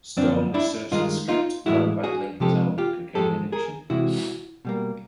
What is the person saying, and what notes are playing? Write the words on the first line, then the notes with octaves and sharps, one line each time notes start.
Stone researched the script while battling his own cocaine addiction.
F#2 D3 F3 C4 D4
D4 E4
G2 D#3 G#3 D#4 F4
D#4 F4
A2 E3 G#3 E4 F#4
F#4 G#4
C3 F3 G#3 G4 A4
F4 G4
G#2 F3 G#3 G4 A4
G#4 A#4
C3 E3 G#3 E4 F#4
B2 G3 A#3